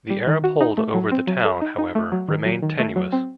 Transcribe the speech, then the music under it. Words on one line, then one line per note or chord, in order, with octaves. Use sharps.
The Arab hold over the town, however, remained tenuous.
G3
D#3
F#4
D#4
A3
F#3
C4
F#3
A4
D#4
D#4
A3
F#3
D#3
F#3
D#3
A3
F#3
C4